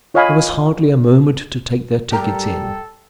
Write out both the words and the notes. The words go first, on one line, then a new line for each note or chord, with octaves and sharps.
There was hardly a moment to take their tickets in.
F4 C#5 D#5 F5 G#5 B5
G3 G4 A4 A#4 G5 A#5